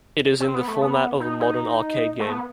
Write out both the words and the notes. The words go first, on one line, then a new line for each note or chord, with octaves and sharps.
It is in the format of a modern arcade game.
C4
B3
A3
B3
D#4
D#4
A3
B3